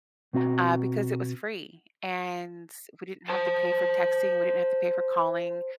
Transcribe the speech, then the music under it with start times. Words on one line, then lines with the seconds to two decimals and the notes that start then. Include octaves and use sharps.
uh, because it was free, and we didn't have to pay for texting, we didn't have to pay for calling.
0.33 B2 C4 F#4 D5 A#5
3.30 C5 A5